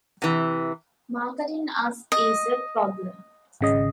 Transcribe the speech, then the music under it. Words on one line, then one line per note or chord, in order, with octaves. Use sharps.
Marketing us is a problem.
C3 E3
D#5
G#1 C#3 D#5